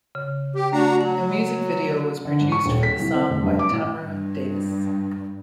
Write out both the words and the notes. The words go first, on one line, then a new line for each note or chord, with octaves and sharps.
A music video was produced for the song by Tamra Davis.
C#3
G4
A3 D4 F#4 A#5
F#3 F#5
D3
G#2
C#6
D#1
B6
C2
C4
F1
G2
D6
A1
G2